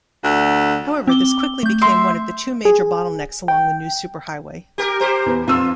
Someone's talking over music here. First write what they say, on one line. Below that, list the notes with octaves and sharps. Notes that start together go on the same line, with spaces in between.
However, this quickly became one of the two major bottlenecks along the new superhighway.
D2
C4 D6 G7
A3 G6
E5 C6
G#4
G5
G4 A#4
G4 A#4 C5
E2
F2 F4 E6